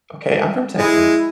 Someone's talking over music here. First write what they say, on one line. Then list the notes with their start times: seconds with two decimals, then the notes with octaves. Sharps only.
Okay, I'm from Texas.
0.77 G#3 E4